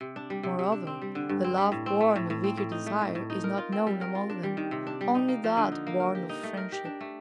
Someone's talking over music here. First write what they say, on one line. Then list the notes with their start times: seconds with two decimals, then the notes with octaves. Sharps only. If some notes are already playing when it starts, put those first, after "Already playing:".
Moreover, the love born of eager desire is not known among them; only that born of friendship.
0.01 C3
0.16 D4
0.30 G3
0.43 C3
0.59 C3
0.72 D4
0.87 C4
1.02 G3
1.15 D3
1.29 G2
1.44 C4
1.57 G3
1.72 A2
1.86 C4
2.00 A3
2.16 A2
2.30 A2
2.44 C4
2.57 A2
2.72 D#4
2.86 A3
3.01 A2
3.15 A2
3.30 D#4
3.44 A#4
3.58 F4
3.72 C4
3.87 G3
4.01 A#4
4.15 F4
4.30 D4
4.43 G3
4.57 D#3
4.71 C3
4.87 D4
5.01 G3
5.15 D#4
5.28 A#3
5.44 F3
5.57 D3
5.72 D#4
5.87 A#3
6.00 A#4
6.15 G4
6.29 D#4
6.43 A3
6.57 A#4
6.72 G4
6.85 D4
7.01 A3